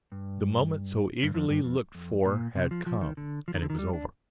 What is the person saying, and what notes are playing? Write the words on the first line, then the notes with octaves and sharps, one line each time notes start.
The moment so eagerly looked for had come, and it was over.
G2
G2
F2
G2
F2
F2
A#2
C3
F3
F3
D#3
D3
F3
D#3
D3
D#3
G3
D4